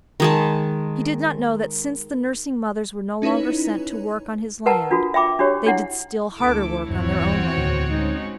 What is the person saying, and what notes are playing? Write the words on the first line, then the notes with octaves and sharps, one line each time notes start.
He did not know that since the nursing mothers were no longer sent to work on his land, they did still harder work on their own land.
D#3 G#3 A5
C#4 D#4 E4 B4 C#5
A#4 B4 F#5 A5 A#5
D4 F4 F#4 A4
E5 G5 B5 D6
D4 F#4 G4 C#5
D4 E4 F#5
D2 E4 A4 D6
D#1 E2 G2 C4 F#4 C#5
D2 A2
G#3 C#4 D#4